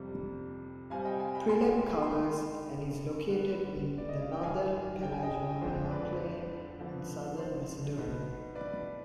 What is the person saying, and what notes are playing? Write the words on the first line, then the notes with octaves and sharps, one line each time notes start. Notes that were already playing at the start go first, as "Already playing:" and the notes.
Prilep covers and is located in the northern Pelagonia plain, in southern Macedonia.
Already playing: F2 C3 G3
C3 G3 C4 F5 G#5
D#5 G5
F5 G#5
G5 B5
G#5 C6
C6
D#3 G#3 D4 G5 B5
D3 G3 B3
D5
D#5
F5
G5
G2 D#3 G3 F5 G#5
G5
G#5
D#5 G5
F2 D3 F3 G#3 C4 C5
B4 D5
D3 F3 B3
C5
B2 B3 D#4
B4 D5